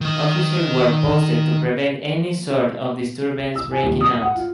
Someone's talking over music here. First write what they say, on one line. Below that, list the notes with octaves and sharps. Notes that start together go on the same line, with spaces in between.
Officers were posted to prevent any sort of disturbance breaking out.
D#3 D#5
E6
G#5
D#1
D#6
F#5
F4